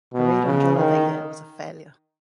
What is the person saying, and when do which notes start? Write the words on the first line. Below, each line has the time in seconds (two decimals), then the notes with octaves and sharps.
A raid on Jolo that year was a failure.
0.13 B2
0.46 C#3
0.76 D#3